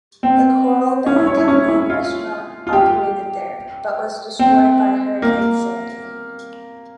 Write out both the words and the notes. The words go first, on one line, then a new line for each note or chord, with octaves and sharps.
The Coral Bay Cafe restaurant operated there but was destroyed by Hurricane Sandy.
C4
C#4
E4
C#5
E4
C#4
E4
F4
F4
G4
C4
A#3